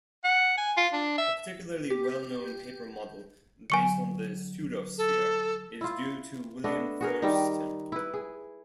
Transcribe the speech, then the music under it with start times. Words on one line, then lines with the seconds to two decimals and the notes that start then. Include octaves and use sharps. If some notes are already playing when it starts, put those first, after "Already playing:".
A particularly well-known paper model based on the pseudosphere is due to William Thurston.
0.24 F#5
0.58 G#5
0.77 F4
0.94 D4
1.18 E5
1.90 G4
3.70 D3 F#3 G#5 C#6 C#7
4.98 A4
5.81 E4 F4
6.64 A3 B3 D4 D#5
7.01 F#4 G#4 A#4
7.22 D#3 G3 D#4
7.92 E4 B4
8.14 G#4